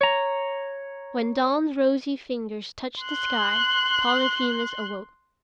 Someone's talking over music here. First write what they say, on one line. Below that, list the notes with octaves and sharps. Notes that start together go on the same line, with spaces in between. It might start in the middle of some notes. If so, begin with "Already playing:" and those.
When dawn's rosy fingers touched the sky, Polyphemus awoke.
C#5 A#5
C6 F#6